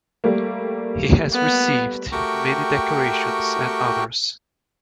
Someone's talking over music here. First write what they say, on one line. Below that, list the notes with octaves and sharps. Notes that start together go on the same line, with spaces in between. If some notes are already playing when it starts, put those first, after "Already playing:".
He has received many decorations and honours.
G3 A3 A#3
B3
A3 F#4 G4 A#4 G5 C#6